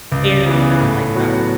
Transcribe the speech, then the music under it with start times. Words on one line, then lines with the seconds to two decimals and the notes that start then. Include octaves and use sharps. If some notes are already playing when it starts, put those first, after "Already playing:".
airy, not, like, dark.
0.12 C#2
0.46 C#3 E3 B3
0.81 A2
1.15 F#3 B3 F#4